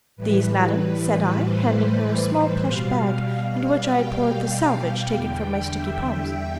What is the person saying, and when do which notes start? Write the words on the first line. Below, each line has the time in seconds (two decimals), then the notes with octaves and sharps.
"These, madam," said I, handing her a small plush bag into which I had poured the "salvage" taken from my sticky palms.
0.16 A2 E3 G3 B4
1.41 C5
2.64 B2 G3 F5
3.88 G5
5.12 E2 D3 G3
5.75 E5